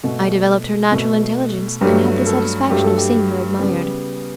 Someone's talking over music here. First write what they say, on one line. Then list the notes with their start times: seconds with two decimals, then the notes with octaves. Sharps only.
I developed her natural intelligence, and had the satisfaction of seeing her admired.
0.03 B2 A3 F#4
0.92 B2 A3
1.81 G2 F#3 A3 G4
2.27 A4
2.70 G2 F#3 A3 G4
2.84 A4
2.98 G4
3.59 C#3 G3 B3